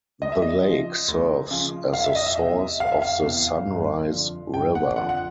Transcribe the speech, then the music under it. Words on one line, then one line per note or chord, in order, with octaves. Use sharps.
The lake serves as the source of the Sunrise River.
D2 D#5
E5
D#5
C#3 F3
D2
C#3 F3
F1 F5
E5
D#5
E5
E2 C3
F1 F5
E5
F5
E2 C3
G1
F2 D3 F3
G1 G5
F#5
F2 D3 F3 F#5
F#5